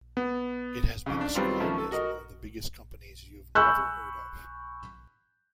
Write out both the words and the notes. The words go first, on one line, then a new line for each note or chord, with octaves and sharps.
It has been described as one of the biggest companies you've never heard of.
B3
F2 G#2 C#3
D4
D#3 F#3 G3 B3 C4 F4
B2 D#3 F3 F#3 A3 C#4
A4
F#4 A#4 D#5
G#5 B5 C#6 E6 F#6 G6